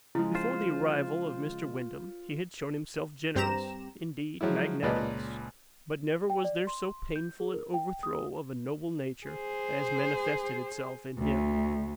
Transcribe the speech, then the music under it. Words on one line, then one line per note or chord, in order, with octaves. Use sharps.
Before the arrival of Mr. Wyndham he had shown himself generous, indeed magnanimous. But never was there so painful an overthrow of a noble nature as manifested itself in him.
C#3 F3 G#3 E4
F4 C5
G2 C4 G4 A#5 E7
F3 F#3 G#3 E4
C#2 A#2 B4 D5 D#5 A5
G5
D5
C6
G6
G#4
A#4
G5
D#6
G#4 C5
D2